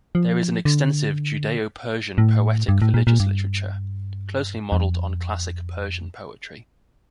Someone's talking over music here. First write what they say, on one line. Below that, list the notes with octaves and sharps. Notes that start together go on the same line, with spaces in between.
There is an extensive Judeo-Persian poetic religious literature, closely modeled on classical Persian poetry.
F3
D3
A2
G2
A2
A#2
A#2
G2
F2